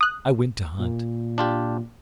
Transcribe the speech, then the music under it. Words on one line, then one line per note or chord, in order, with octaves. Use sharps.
I went to hunt.
D#6 F#6
A#2
D4 F4 G4